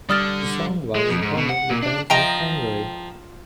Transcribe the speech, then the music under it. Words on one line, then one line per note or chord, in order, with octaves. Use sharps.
The song was reportedly banned in Hungary.
D3 G3 D#6 F6 A6
G#3
F2
G#2
B2
F#5
A#2
D4
F3 D#5 G5 A#5